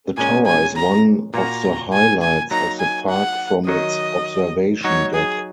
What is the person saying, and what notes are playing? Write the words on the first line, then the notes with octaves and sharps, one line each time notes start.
The tower is one of the highlights of the park from its observation deck.
A#2 G#3 C#4 G#5
G#5
A#5
A#2 A#3 F#4 A#5
G#5
G#5
F#3 A#3 D#4 A#5
G#5
F#5
D#3 F#3 D#4 F#4 D#5
F#3 D#4 F#4 C#5
G#4